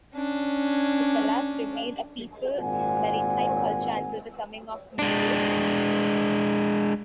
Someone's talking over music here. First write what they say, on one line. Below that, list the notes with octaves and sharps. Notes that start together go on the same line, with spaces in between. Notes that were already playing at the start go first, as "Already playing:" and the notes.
The Falas remained a peaceful maritime culture until the coming of Morgoth.
C#4 D4
G#1 A#2 C4 F#5 G#5
G#3 D4